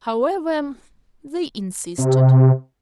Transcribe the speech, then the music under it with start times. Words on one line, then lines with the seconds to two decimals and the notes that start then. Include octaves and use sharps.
However, they insisted.
1.98 C3